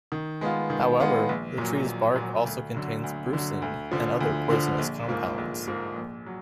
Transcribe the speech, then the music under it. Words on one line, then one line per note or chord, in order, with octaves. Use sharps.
However, the tree's bark also contains brucine and other poisonous compounds.
D#3
G#3 B3 F4
D#3
G#3 B3 F4
A#1
A#2 F#3
A#1
A#2 F#3
D2
D3 F#3
D2
D3 F#3
D2
D3 F3
D2
D3 F3
A#1
G#2 F3 A#3
A#1
G#2 F3 A#3
A#1
F#3